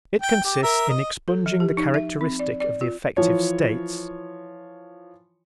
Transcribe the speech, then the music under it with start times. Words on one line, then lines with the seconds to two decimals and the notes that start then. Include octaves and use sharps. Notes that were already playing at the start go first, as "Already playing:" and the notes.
It consists in expunging the characteristic of the affective states.
0.22 G5
0.45 G4
0.63 A#4 E5
0.89 D#5
1.28 A4
1.46 F3
1.60 G4
1.77 D#4
1.94 E5
2.21 C4
2.39 D5
2.60 D5
2.81 F4
3.17 E3 F3 C#5